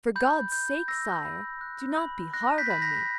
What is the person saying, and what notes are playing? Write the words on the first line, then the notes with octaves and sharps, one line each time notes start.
For God's sake, sire, do not be hard on me!
B5 G6
G6
E6 A#6
B5
F#6
B5
F#6 A#6
G6 B6
B5
A#6